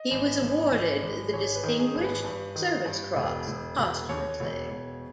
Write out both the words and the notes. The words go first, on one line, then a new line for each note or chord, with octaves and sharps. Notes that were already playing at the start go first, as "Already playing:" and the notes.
He was awarded the Distinguished Service Cross posthumously.
Already playing: D#5
G#1
G#1
G#1
G#1
G#1 C#5
B4
D#3
G#4
G#1
B4
G2
D#3
G2
E1
E1
E1
D#2 C#5
E1
E1